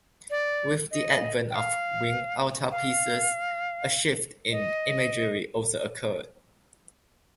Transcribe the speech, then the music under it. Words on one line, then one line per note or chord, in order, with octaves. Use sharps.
With the advent of winged altarpieces, a shift in imagery also occurred.
D5
D#5
G5
F5
F5
D#5